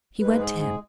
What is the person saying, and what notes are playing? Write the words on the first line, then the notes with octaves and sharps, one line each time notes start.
He went to him.
G#2 G#3 B4
G#4
G#4